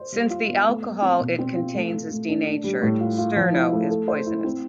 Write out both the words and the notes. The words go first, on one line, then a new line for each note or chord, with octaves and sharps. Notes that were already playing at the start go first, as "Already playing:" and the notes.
Since the alcohol it contains is denatured, Sterno is poisonous.
Already playing: C5
G3
F4
B3
A3
A3
C4
B2
C4
F4
A3
A3
A3
D4
D4
G3
A2
F4
F4
F3
E4
A3
A4
C5
E4
C4